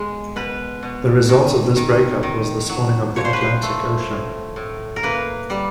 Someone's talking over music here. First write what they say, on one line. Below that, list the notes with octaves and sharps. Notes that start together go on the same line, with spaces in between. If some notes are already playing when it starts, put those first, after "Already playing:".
The result of this break-up was the spawning of the Atlantic Ocean.
Already playing: B2 G#3
B2 B4
B2
D#3
D#3
D#3
F#3
F3 C#5
C5
B4
C5
A3
A2
A2
A#4
A#3 B4
G3